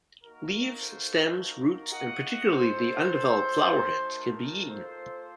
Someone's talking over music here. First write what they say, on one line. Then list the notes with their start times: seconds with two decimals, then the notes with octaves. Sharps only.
Leaves, stems, roots, and particularly the undeveloped flowerheads can be eaten.
0.24 A#3 D#4 F#4 A#4
0.80 A4 C5
1.35 A#4
1.90 D#5 F#5
2.45 A3 D#4 F#4 A4 C5
4.12 A#4
4.67 A#3 F4 A4 C5